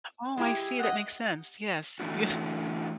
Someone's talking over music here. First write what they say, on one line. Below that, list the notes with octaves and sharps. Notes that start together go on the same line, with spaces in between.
Oh, I see, that makes sense. Yes. Yeah.
G#3 E4 G4
D#5 F#5
E3 A3 D4 F#4